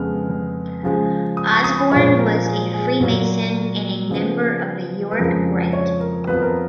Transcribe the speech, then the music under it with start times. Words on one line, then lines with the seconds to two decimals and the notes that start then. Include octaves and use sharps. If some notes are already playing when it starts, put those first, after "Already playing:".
Osborne was a Freemason and a member of the York Rite.
Already playing: F2 C#3 G#3 B3 F6
0.83 C#3 F3 G#3
1.37 D#6
1.51 C#6
1.64 D#6
1.78 B5
1.92 A#2 F3 G#3 C#5
2.19 A#4
2.46 G#4
2.74 G#4
2.87 G#4
3.00 A#2 F#3 A#3
4.10 C#3 F3 B3 G#4
5.11 B4
5.18 F2 C#3 F3 G#3 A#4
5.73 C#5
6.01 A#4
6.27 F2 F3 B3 B4
6.42 A#4